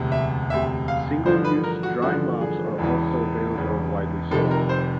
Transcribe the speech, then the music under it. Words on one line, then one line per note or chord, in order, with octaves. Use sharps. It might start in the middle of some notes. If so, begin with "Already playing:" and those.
Single-use dry mops are also available and widely sold.
Already playing: E1 D2 C3
E5
E1 D2 C3 E5
F5
A1 G2 D3 F3 C5
B4
A#4
F#4
A1 G2 D3 F3 F#4
G#4
E1 E2 C#3 E3
E1 E2 C#3 E3
F1 F2 C3 D#3 A4
A#4
C5